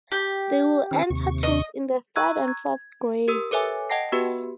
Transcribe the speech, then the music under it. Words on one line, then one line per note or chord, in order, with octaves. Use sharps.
They would enter teams in the third and fourth grades.
G4
D#3 C4 C#4
D#2 C3 C#6
D#5
A#5 C#6 E6 F#6 G#6
G#6
G4 A#4 E6
A4 B4 C#5 E5 G#5 D6
D#5 F#5 G5 A5 A#6 C7
B3 F#4 G4 B4